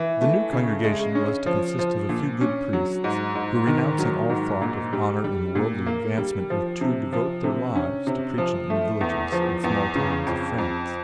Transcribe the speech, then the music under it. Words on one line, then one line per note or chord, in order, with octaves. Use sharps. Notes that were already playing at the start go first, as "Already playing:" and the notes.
The new Congregation was to consist of a few good priests who, renouncing all thought of honor and worldly advancement, were to devote their lives to preaching in the villages and small towns of France.
Already playing: E3
A3
C#3
G#3
C#4
F3
F3
A#2
C#4
F#3
G#2
G#2
D#3
F#3
G#2
A#2
G3
G3
A#2
A#3
G3
F3
C3
F3
C3
C#4
C3
F3
A3
E2
F3
E2
C#3
F2
F2